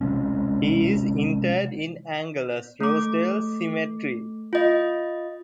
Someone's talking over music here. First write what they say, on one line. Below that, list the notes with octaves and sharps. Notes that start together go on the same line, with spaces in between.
He is interred in Angelus-Rosedale Cemetery.
C3 G#3 C#4
A3 D6
F4 D#5